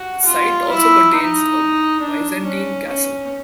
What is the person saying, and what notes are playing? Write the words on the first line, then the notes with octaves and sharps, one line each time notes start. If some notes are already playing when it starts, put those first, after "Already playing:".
The site also contains a Byzantine castle.
Already playing: F#4
F4
E4
D#4
D4
C#4
C#4